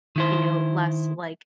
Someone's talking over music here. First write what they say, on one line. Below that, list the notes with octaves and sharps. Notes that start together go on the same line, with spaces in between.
you know, less, like,
D#3 E4 C5